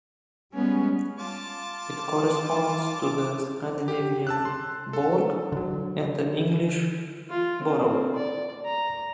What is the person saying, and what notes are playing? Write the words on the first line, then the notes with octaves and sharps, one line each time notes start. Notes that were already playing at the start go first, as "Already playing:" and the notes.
It corresponds to the Scandinavian "Borg" and the English "Borough".
G3 G#3 B3 C#4
F4 A5 D6
G4
A5 E6 F#6
C6
A4
D3 F#3
F4
C4
D5
A#5